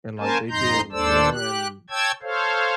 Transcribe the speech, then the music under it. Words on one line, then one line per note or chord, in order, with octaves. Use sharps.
and, like, they did one,
A#3 C#4 A#4 C5 G#5 A5
F2 G#2 D#4 A#5 C6 G6
D#2 D4 A4 C5 D5 E6
G4 F#6
C#5 G5 A5 E6 G#6
A4 C5 C#5 F5